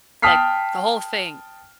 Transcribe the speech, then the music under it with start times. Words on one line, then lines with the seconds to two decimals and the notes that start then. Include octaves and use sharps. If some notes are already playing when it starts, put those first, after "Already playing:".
like, the whole thing,
0.22 G5 A5 D#6 F6 B6 C7